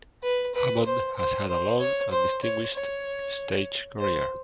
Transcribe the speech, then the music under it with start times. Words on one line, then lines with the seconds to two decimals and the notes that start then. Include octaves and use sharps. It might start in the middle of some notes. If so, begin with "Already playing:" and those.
Hammond has had a long and distinguished stage career.
0.23 B4
0.55 B4
0.86 C5
1.18 C5
1.48 C5
1.80 C#5
2.11 C5
2.43 C#5
2.74 C#5
3.99 C5